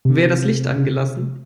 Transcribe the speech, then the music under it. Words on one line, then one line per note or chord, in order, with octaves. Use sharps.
Wer das Licht angelassen?
C3